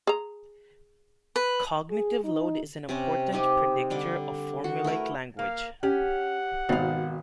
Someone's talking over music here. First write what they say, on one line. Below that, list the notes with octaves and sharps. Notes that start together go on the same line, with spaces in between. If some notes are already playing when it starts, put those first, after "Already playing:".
Cognitive load is an important predictor of formulaic language.
G#4 A#5
B4
G#4
D#4
C3 C4 C#4
C4 D#4 G4 D#5
D3 G3 D6
F#4
A3 E4 A#4 B4
A#3 F5
C#4 G4 F#5
G#1 B2 D#3 F5